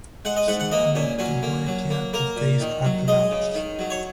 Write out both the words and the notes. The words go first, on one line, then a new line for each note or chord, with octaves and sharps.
Sulla moved to Boeotia to face Archelaus.
G#3 F#5
D#5
G#2 F#5
F#5
A#3 D#5
A#2 C#4
F#3 C#4
A#3
F#3
A#3
A#3 A#4
A#2
D#3
F#3
G#3 D#5
C#3
D#3
F#3
C#5